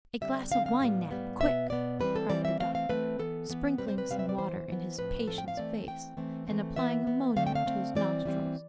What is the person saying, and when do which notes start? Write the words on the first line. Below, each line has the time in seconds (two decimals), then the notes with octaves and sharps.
"A glass of wine, Nap, quick!" cried the doctor, sprinkling some water in his patient's face, and applying ammonia to his nostrils.
0.21 D3 G3 C4 E5
0.51 D3 G3 C4 F5
0.66 F5
0.81 A2 G3 B3
1.11 A2 G3 B3
1.41 B2 B3 E5
1.70 B2 B3 D5
2.00 E3 G3 C4 B4
2.16 A4
2.29 E3 G3 C4 D5
2.45 E5
2.60 E3 A3 C4 F5
2.75 F5
2.89 E3 A3 C4 B4
3.19 E3 B3 A4
3.49 E3 B3
3.78 C3 G3 C4 B4
3.88 C5
3.98 B4
4.09 C3 G3 C4 F5
4.19 E5
4.29 D5
4.38 E3 B3 C5
4.69 E3 B3
4.98 A2 F3 C4 B4
5.27 A2 F3 C4 A4
5.38 G5
5.48 F5
5.57 E3 A3 C4 D5
5.87 E3 A3 C4 G5
6.17 E3 A3 C4
6.47 E3 A3 C4
6.76 E3 B3 E5
7.07 E3 B3
7.36 D3 A3 C4 F5
7.47 G5
7.55 F5
7.66 D3 A3 C4
7.95 E3 G3 C4 D5
8.25 E3 G3 C4